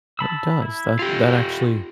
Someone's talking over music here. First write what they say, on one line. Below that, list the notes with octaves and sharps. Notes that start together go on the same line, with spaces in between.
But it does, that that actually
A5 B5 E6
E4
F4 G4